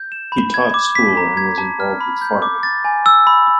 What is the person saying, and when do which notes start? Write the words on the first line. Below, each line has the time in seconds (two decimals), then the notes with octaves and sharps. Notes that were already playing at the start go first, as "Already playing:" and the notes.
He taught school and was involved with farming.
Already playing: G6
0.12 E7
0.32 B5
0.54 G#6
0.74 D6
0.95 B6
1.17 A#5
1.37 G#6
1.58 A5
1.80 F6
2.01 B5
2.22 G6
2.42 D6
2.63 A6
2.85 G#5
3.06 E6
3.27 B5